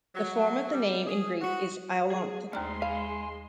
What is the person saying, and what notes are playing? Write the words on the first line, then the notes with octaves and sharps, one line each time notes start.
The form of the name in Greek is "Iolanthe".
F#3
G3
G#4
F#4
G#4
D#2 G#3 A3 D4 C5 A#5 C6 F6
F5 G#5 B5